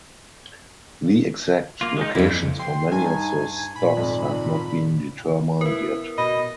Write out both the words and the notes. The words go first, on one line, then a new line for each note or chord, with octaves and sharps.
The exact locations for many of the stops have not been determined yet.
A#3 F4
G#3 D#4
F2 E3 G3 C4 E4
G5 C6
G2 D#4 G#5
A#2 B5
F2 G#2 D#3
B3 E4 A#4
B2 D#5 B5